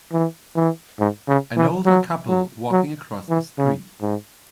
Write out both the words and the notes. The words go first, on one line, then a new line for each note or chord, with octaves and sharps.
An older couple walking across a street.
E3
E3
G#2
C#3
E3
F#3
F#3
F#3
E3
C#3
G#2